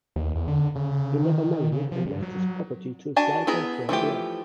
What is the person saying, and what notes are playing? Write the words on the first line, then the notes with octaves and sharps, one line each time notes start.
He never married and left his property to his lifelong friend Rev.
D#2
E2
D3
C#3
C#3
D#3
C#3
F3
G2
F#3
D4 F#4 G#5 A5
B3 E4 G#4 A#5
E3 F3 A3 G4